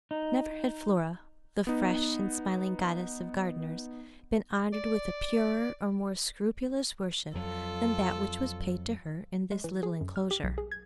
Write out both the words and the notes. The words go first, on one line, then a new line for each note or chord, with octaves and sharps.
Never had Flora, the fresh and smiling goddess of gardeners, been honored with a purer or more scrupulous worship than that which was paid to her in this little enclosure.
D#4
B3 D#4
D5
F2 F#3 F4 A4
G#3
E3
G#4
F#2
F6
G4
B1
G#4
G#6